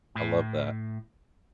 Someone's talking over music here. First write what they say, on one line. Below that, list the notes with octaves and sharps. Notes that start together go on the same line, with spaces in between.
I love that.
A2